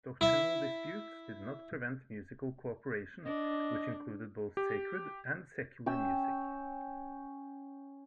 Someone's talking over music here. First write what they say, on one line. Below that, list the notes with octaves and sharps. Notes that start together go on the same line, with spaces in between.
Doctrinal disputes did not prevent musical cooperation, which included both sacred and secular music.
E4 E5
D4 D#5
G4
C#4 G5 E6